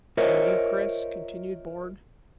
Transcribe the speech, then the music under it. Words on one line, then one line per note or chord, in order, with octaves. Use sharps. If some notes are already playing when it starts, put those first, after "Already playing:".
"And you, Chris?" continued Bourne.
F4 A#4 C5 C#5 D#5 E5